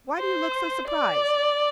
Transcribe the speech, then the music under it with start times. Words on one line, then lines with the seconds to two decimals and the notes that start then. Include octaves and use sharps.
Why do you look so surprised?
0.17 C5
0.87 D5